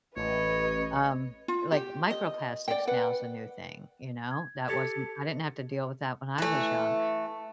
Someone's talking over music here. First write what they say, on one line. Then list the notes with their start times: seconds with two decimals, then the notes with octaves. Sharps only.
um, like microplastics now is a new thing, you know? That wasn't I didn't have to deal with that when I was young,
0.16 A1 B4 C#5 D#5
1.48 F4
1.72 G4
2.10 D#5
2.68 D5 G5
2.87 B4 F#5
4.31 G#6
4.69 G4 A4 G#6 A6 C#7
6.38 E3 A3